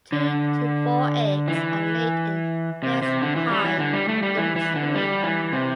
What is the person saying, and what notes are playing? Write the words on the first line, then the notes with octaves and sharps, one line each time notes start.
Two to four eggs are laid in a nest high in a tree.
D3
E3
C3
C3
D3
E3
G3
E3
D3
G3
A3
G3
E3
E3
D3
G3
E3
C3